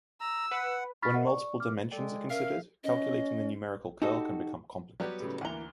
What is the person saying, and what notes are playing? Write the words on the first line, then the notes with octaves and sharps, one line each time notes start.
When multiple dimensions are considered, calculating the numerical curl can become complicated.
A#5 E6
B4 F#5
B5 C#6 F6 A6 B6
A#4 C5 D#5 E5 F#5
D5 C#6
D6 F6
G#3 A4 D5 G5
C#4 A#4 E5 F5
C#4 D#5
D#4 F#4 G4 A4
F#3 G3 B3 G4
A2 C#3
D2 E3 A#3 F#5 A#5 G7